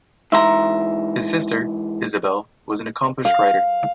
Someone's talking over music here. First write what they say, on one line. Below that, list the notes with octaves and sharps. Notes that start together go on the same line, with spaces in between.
His sister, Isabel, was an accomplished writer.
G#2 E3 E5 A#5 C6
F5